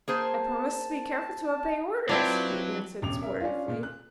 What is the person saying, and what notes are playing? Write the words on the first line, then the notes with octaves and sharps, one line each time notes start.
"I promise to be careful to obey orders," he answered, sportively.
A#3 G#4 C5 A5
F#3 C4 D4 E4 F4 B4 G5
E1 A1 D6 F7
A#4 E5
C#4 D4 F4
A#2
F#6